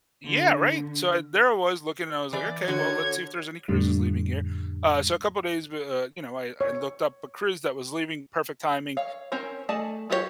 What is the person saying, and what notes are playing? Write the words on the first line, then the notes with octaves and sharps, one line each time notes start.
Yeah, right? So, I There I was, looking, and I was like, "Okay, well, let's see if there's any cruises leaving here." Uh, so a couple days bu uh, you know, I I looked up a cruise that was leaving, perfect timing.
D3
E3 D5
D3 F#4 C#5 G#6
F2 A2 D3 G3
C#5
C#5 F5
C4 C#4 A#4 C#5
A3 G#4 D5 D#5 A5
F#3 F4 G4 G#4 C#5